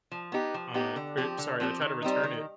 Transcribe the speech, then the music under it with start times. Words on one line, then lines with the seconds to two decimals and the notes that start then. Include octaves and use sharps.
Uh, I sorry, I tried to return it
0.12 F3
0.32 B3 D#4 G4
0.54 F3
0.74 B3 D#4 G4
0.96 D3
1.17 F3 C4 G4
1.38 D3
1.60 F3 C4 G4
1.81 D#3
2.02 G3 C4 D#4
2.23 D#3